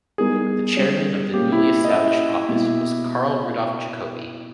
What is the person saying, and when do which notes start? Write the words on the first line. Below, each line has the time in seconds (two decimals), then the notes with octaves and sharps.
The Chairman of the newly established office was Karl Rudolf Jacobi.
0.18 G3 B3 D#4 G#4 A#4
0.76 G3 C#4 G4 C#5
1.34 A#2 A#3 C#4 G4
1.52 E4
1.85 D#5
1.91 A#3 C#4 E4 E5
2.48 B2 A#3 E4